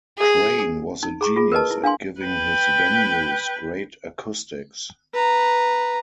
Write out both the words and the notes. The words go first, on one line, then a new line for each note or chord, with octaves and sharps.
Crane was a genius at giving his venues great acoustics.
G#4
D#4
G#4 A#5 C#6
F4 G#4
A#4 B4 D#5 A5
E4
D4 F5 G#5 C6
B4 G5
B4 A#5